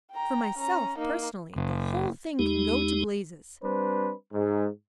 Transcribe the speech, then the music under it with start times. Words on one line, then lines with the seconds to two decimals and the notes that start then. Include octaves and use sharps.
For myself, personally, the whole thing can go to blazes.
0.12 G5 A#5
0.58 C#4 A#5
0.98 A#3 D#4
1.56 F#1
2.39 E2 G#3 D#4 G4
3.62 G3 C4 D4 B4 C5
4.33 G#2